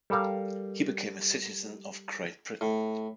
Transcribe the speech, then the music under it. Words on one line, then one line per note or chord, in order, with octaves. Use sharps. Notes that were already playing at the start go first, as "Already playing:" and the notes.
He became a citizen of Great Britain.
G3 A4 A#4 F5
A2